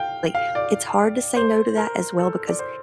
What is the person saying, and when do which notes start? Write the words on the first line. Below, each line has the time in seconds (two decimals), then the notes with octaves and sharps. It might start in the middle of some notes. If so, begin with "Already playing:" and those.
like, it's hard to say no to that as well because
Already playing: F5 G5
0.35 F5
0.55 D5
1.36 C5
1.77 A#4
2.19 A4
2.47 D5
2.59 C5